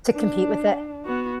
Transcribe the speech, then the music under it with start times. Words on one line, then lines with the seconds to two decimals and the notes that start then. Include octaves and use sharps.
To compete with it.
0.13 D4
1.06 B3 F#4